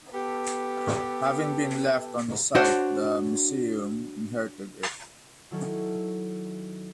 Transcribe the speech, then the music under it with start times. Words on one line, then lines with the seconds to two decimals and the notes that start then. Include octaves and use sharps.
Having been left on the site, the museum inherited it.
0.13 B3 G4 A4
2.55 D4 F#4 C5 C#5
5.51 D#3 F#3 C#4 E4 A4